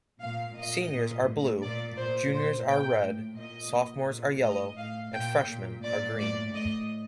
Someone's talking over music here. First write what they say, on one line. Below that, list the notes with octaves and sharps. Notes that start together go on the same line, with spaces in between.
Seniors are Blue, Juniors are Red, Sophomores are Yellow, and Freshmen are Green.
A#2 F5
A#2 D#5
A#2
A2
A#2 D5
A#2 C5
A#2 C5
A#2 G5
A2
A#2 D#5
A#2
A#2
A2 D#5
A2 F5
A#2 G5
A#2
A#2 D5
A2 D5
A2 D#5